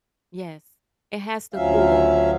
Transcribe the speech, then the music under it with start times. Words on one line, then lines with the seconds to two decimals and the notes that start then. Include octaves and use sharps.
Yes, it has to cool.
1.54 D2 F3 F#3 C#4 E5 F5